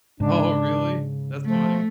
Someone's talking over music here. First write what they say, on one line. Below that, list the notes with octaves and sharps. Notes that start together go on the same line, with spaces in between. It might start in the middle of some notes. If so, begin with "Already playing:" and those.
Oh, really? That's funny.
G#2 C#3 D4
F3 A3